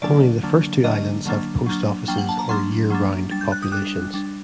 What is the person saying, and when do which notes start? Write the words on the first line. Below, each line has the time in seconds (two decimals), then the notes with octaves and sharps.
Only the first two islands have post offices or year-round populations.
0.02 D3 F#3 A#3 D4 D5
0.43 D3 F#3 A#3 D4
0.84 D3 F#3 A#3 D4 D#5
1.26 D3 F#3 A#3 D4
1.66 F#3 A#3 D4
2.08 F#3 A#3 D4 G5
2.18 F#5
2.29 A5
2.39 A#5
2.49 F#3 A#3 D4 C6
2.90 F#3 A#3 D4
3.31 G3 D4 A6
3.41 G6
3.52 F#6
3.63 D#6
3.72 G3 D4 F#6
4.14 G3 D4